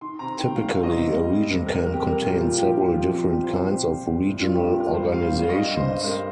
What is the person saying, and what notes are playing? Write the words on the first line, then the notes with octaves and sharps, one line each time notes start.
Typically a region can contain several different kinds of regional organizations.
D#3 C6
C3 A#5
D#3 G5
G3 F5
C3
D#5
C3
G3
G3
C3
G3 A#4
F2 A#4
G4
G3 A#4
A#2 G4
A#2 F4
F3 G4
F3 G4
F3
C2
F3 G4
C5
C2
C5
A#2 G4
C2
C2
C2
G2 F4
G2 G4
G4
G2 A#4
G3 C5
G3 F5
G3
F5
G2 D#5
G2
C5
G2
G3 A#4